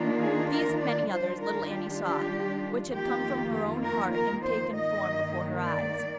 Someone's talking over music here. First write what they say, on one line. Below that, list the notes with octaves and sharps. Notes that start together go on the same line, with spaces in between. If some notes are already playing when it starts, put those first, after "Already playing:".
These and many others little Annie saw, which had come from her own heart, and taken form before her eyes.
Already playing: D#3 A#3 D4 F4
G#4
A#4
D5
D#3 G3 D4 F4 C5
A#4
G4
G4
F2 D#3 A#3 F4 G4
A#4
A#4
C5
G2 D#3 A#3 D#5
D5